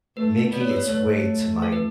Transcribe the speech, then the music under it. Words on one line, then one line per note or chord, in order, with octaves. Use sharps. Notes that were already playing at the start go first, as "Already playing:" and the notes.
making its way to my
A3 B4
B3 D5
C#5
B4
C#5
A3 C#5
A4
B4